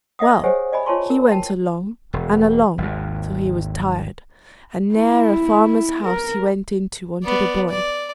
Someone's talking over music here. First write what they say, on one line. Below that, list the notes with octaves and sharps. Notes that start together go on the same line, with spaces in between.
Well, he went along and along till he was tired, and ne'er a farmer's house he went into wanted a boy.
D#5 E5 F#5 D#6
G4 G#4 C5 C#5 F#5 G#5
D5 D#5 G#5 B5
F4 C#5 G#5 A5 C6 C#6
A#4
G5 A5
E1
G#1 D#2
E4
A#4
B3 D5
D5